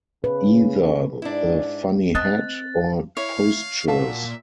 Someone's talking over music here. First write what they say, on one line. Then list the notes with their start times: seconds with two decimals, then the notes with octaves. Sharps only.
Either the funny hat, or postures.
0.24 C#3 B4
1.22 G#2 D4 E4
2.15 C4 D#5 A5 F#6 A6
3.17 E4 C#5 F5
3.88 A#2 F#4 E5 F5 A5